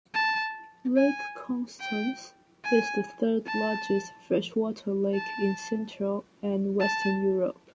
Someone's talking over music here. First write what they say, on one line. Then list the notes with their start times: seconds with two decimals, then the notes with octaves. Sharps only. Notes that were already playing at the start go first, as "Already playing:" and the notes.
Lake Constance is the third largest freshwater lake in Central and Western Europe.
0.14 A5
0.96 G#5
1.80 G5
2.64 G#5
3.47 A5
5.14 A5
6.80 A5